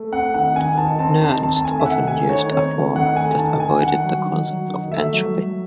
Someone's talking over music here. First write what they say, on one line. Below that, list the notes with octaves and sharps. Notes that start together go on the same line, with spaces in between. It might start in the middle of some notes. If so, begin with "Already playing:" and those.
Nernst often used a form that avoided the concept of entropy.
Already playing: A3
C4 F#5
D#3 F#5
D#3 G#5
D#3 A5
C4 A5
D#3 A5
C4 A5
A5
A3 G#5
E5
D#3 F#5
A3 G#5
D#3 C#5
C4 C#5
A3
D#3 F#5
A3 G#5
D#3 A5
D#3 G#5
D#3 F#5
F#3
D#3
F#3
D#3
A3 E5
F#3
F#3